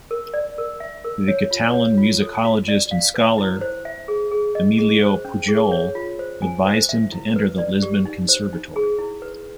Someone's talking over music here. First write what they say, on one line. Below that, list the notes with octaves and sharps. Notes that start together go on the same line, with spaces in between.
The Catalan musicologist and scholar Emilio Pujol advised him to enter the Lisbon Conservatory.
A#4
D5
A#4
E5
A#4
C#5
F4
C#5
F4
A4
F#4
D5
F5
B4
E4
C5
E5
G#4
G#4
D#5
G#4
C5
C#4
G#4
C#5
F4
C5
G#5
C5
E5
E4
B4
D5
G4
D#4
C5
D#4
G#4
E4
B4